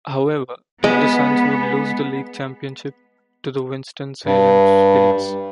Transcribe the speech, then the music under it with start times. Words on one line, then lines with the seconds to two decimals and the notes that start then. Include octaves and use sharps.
However, the Suns would lose the league championship to the Winston-Salem Spirits.
0.84 G#3 B3
4.26 G2